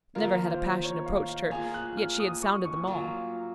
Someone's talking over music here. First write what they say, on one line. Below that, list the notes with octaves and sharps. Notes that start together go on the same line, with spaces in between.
Never had a passion approached her, yet she had sounded them all.
D#3 A#3 F4 A#4
C5
C#5
F5
F5
A#3 F4 G#4 G#5
F#6
F6
D#6
C#6
C#6
F#3 A#3 F4